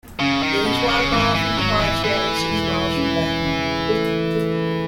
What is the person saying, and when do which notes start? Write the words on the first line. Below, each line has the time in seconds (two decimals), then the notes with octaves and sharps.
It is one mile from Tideswell and six miles from Bakewell.
0.20 F#2 C#3
0.43 D#3
0.66 F#2 B2
0.89 C#3
1.11 G#1 E3
1.35 E3
1.57 G#1 F#3
1.80 E3
2.04 E3 A3
2.50 E1
2.96 C#4
3.42 C#3
3.88 A3
4.35 A3